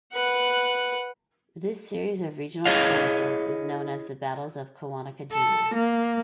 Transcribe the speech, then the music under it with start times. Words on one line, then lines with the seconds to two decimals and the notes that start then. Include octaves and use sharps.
This series of regional skirmishes is known as the Battles of Kawanakajima.
0.14 B4 F#5
2.66 E4 G#4 C#5 D#5 F5
5.33 A4
5.74 A#3